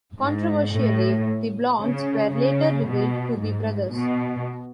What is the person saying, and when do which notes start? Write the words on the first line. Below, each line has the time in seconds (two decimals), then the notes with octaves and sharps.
Controversially, the Blondes were later revealed to be brothers.
0.20 G#2
0.74 A2
1.81 C#3
2.33 C#3
2.87 B2
3.40 G#2
3.94 B2